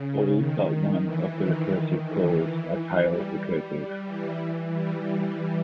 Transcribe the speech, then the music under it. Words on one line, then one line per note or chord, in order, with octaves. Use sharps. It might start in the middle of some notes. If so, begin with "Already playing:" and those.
All but one of the recursive calls are tail recursive.
Already playing: C#3
D#3
E3
D#3
E3
G3
G3
E3
G3